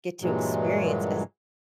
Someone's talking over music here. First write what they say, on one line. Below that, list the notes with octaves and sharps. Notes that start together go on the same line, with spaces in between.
get to experience as
G2 A#2 E3 F#3 G#3